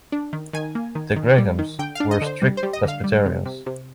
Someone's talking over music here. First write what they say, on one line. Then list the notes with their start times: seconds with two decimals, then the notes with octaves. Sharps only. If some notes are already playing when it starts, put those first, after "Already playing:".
The Grahams were strict Presbyterians.
0.12 D4
0.33 D#3
0.53 D#3 G#5
0.75 A#3
0.95 D#3
1.16 D#3
1.38 G3
1.59 D#3
1.79 D3 G5
1.95 D4 F5
2.11 D#5
2.21 D3
2.26 C5
2.42 G3
2.57 C5
2.63 G3
2.73 D#5
2.84 D3 F5
3.04 G3
3.26 C3
3.46 C3
3.66 C3